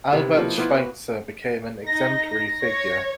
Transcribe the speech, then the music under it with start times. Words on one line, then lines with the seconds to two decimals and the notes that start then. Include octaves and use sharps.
Albert Schweitzer became an exemplary figure.
0.13 C3 D#3 B3 E4
0.37 F3 A#3 D#4 E4
0.57 A#3 B3 E4 F4
0.69 F#4
1.86 D#4 A#6
2.64 C#5